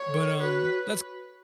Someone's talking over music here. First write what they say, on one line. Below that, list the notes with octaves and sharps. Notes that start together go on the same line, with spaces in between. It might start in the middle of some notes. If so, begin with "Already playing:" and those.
But, um, that's
Already playing: C#5
A4
F#4 B4